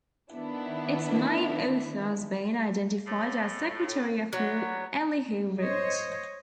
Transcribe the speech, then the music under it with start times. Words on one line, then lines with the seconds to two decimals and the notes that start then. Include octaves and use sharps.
Its main author has been identified as Secretary of War Elihu Root.
0.32 D#3 B3 D4 E4
3.06 A2
4.33 F#3 B3 D4 C#5
5.60 C5 C#5 D#5